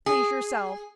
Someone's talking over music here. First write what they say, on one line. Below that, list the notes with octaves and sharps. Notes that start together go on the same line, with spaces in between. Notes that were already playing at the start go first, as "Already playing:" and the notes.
Please yourself.
G#4